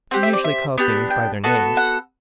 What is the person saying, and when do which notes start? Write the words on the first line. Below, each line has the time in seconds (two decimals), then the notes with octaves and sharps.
"I usually call things by their names."
0.11 C4 G4 F#5
0.23 E5
0.33 D5
0.44 E5
0.78 B3 D4 G4
1.10 G5
1.44 B3 F#4 A4
1.77 F#5